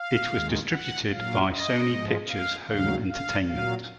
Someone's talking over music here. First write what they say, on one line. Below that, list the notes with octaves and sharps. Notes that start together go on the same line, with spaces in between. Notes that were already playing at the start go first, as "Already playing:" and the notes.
It was distributed by Sony Pictures Home Entertainment.
Already playing: F5
D#2 D#3 G#3
F#5
A#2 F#3 F5
D#5
G#2 F3 G#3
F5
D#2 C#3 F#3 F5
F5
A#2 F#3 F5